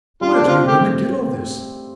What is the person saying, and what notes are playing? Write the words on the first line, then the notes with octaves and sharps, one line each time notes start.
Where do you women get all this?
G3 F4
D4
C4 F4
A3 G4